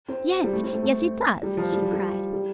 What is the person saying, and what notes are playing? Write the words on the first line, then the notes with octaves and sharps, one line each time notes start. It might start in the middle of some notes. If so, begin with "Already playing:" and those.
"Yes, yes, he does!" she cried.
C4
G3
A3
C4
A3
A3
G3
F3
G3
F3
G3
G3